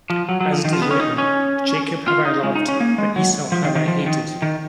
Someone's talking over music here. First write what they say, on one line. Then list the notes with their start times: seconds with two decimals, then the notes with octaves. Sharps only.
As it is written, Jacob have I loved, but Esau have I hated.
0.10 F3
0.29 F#3
0.41 F#3
0.52 F3
0.65 D#3
0.73 F3
0.82 B3
0.91 C#4
1.00 D#4
1.18 C#4
2.08 F4
2.25 D#4
2.43 G#3
2.56 D#4
2.68 C#4
2.80 A#3
2.98 G#3
3.16 F#3
3.52 F3
3.64 D#3
3.75 D#3
3.88 F3
4.06 D#3
4.42 D#3